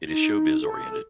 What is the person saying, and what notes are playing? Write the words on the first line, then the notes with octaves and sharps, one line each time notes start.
It is showbiz oriented.
D#4
A4